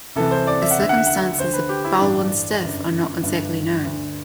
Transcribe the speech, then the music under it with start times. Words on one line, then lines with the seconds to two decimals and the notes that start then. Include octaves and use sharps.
The circumstances of Baldwin's death are not exactly known.
0.16 C2 C3 E3 A4
0.31 C5
0.47 D5
0.62 E5
0.71 F#5
0.78 D2 D3 E5
0.89 F#5
0.98 E5
1.07 F#5
1.16 E5
1.38 D2 D3 C5
1.54 B4
1.69 G4
1.85 E4
2.00 A1 G2 E3 D4
2.62 G1 F#2 D3
3.23 G1 G2 D3
3.84 D2 D3